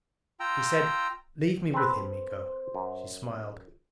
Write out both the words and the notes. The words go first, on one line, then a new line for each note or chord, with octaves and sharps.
She said, "Leave me with him, Miko...." She smiled.
F4 G5 A#5 E6
C4 A4 B4 C5
F#2